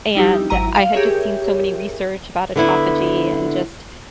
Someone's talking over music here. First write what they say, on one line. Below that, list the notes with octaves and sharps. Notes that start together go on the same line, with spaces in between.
And, I had just seen so many research about autophagy, and just
G3 D#4 E4 G4
G#1 F#3 E4 A#5 D#7
F5
G4 G#4 A#4 C#5 E5
D3 B3 E4